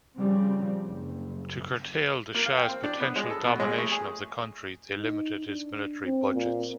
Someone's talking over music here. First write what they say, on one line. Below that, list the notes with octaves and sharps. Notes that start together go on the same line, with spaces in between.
To curtail the shah's potential domination of the country, they limited his military budgets.
C#3 F3 G3 C4
F#1
A#3
F5
G5
C4
D4
B3
G#3
A4
B2
G#3
A3
G#4
D#4
D4
C4
A#2